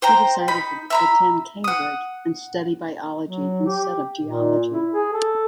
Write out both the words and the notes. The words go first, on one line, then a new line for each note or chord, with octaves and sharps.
He decided to attend Cambridge and study biology instead of geology.
C5 G5 A#5
D#4 B5
E5 A#5 B5
F#5 D#6
F#3
G4
A#2
E4
G#4
A4